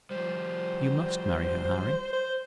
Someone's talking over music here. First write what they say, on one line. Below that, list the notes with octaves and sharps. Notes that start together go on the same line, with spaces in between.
"You must marry her, Harry."
F3 G3 C5
C5